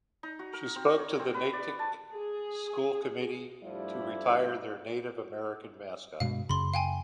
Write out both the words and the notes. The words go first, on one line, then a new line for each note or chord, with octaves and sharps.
She spoke to the Natick School Committee to retire their Native American mascot.
D#4
F#4
A#4
C4
C#5
C4
B4
D5
A5
G#4
G2 F3 G3 A3 E4 G4
G2 B2 G#3 F5
F#2 C#3 B5 C6
F5 G5 G#5